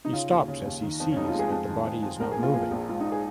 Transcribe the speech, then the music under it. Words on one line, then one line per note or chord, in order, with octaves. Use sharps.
He stops as he sees that the body is not moving.
D#4
C#3 F4
D#2
C#3
D#2
D#3
F2
C#4
F1 D#4
F4
G#3 G#4
F2
D#3
F2
F2
A#1 A#4
G#4
A#2
F4
A#1 G#4
A#1
G#2 F4
D#4
G#4